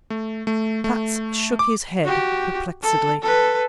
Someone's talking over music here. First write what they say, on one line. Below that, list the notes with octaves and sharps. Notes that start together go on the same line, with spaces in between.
Platts shook his head, perplexedly.
A3
A3
A3
D6
F#4 G4
A4
A4 B4